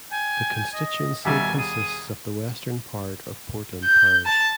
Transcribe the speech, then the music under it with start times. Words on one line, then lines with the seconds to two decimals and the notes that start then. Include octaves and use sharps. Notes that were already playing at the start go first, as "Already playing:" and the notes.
The constituency consists of the western part of Portland Parish.
0.11 G5 G#5
0.74 D#5
1.25 D#2 B2 G3 E5 G#5
1.58 G#4 D#7
3.83 G6
4.26 A5